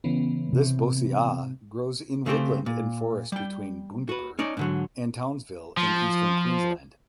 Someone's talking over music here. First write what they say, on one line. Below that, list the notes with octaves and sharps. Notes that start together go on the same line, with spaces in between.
This bossiaea grows in woodland and forest between Bundaberg and Townsville in eastern Queensland.
C#3 E3 B3
C3
C#3 A3 C4 G4 C5
A#2
G3 G5
F#4 B4
C#4 D#4 D5
G#2 D3 F#3
F3